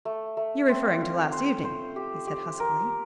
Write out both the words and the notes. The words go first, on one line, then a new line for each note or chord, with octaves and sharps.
"You're referring to last evening," he said huskily.
A3
A3
C4
F4
C5
C5
G4
G4
A#4